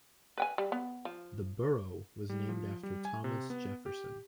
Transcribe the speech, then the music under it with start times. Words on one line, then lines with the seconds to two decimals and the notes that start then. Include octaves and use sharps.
The borough was named after Thomas Jefferson.
0.37 B4 G5 G#5
0.58 G3
0.72 B3
1.05 F3
2.29 G3
2.49 F3
2.83 G3
3.05 G#5
3.24 C3
3.50 B3
3.86 G4